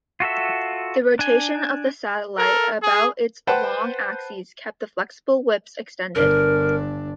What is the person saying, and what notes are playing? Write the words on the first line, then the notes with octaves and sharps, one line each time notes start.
The rotation of the satellite about its long axis kept the flexible whips extended.
F4 F#4 A4 E5
D4 G#5
A4 A#4
G#4
B4 C5 F#5 G5 A5
G1 D4 A#4